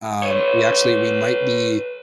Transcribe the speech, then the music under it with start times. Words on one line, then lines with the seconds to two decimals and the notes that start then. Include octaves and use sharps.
um, we actually we might be
0.24 B4 C#5